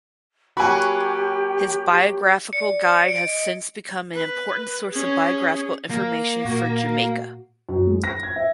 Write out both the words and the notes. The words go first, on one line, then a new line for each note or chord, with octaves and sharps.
His biographical guide has since become an important source of biographical information for Jamaica.
F#3 A#3 F#4 G4 G5 G#5 B5
D5 C#7
C#7 D7
D#5
B4
C#4 G#4
A#3
A#2 F#4
F#2
G#3
A#6
G#6
E5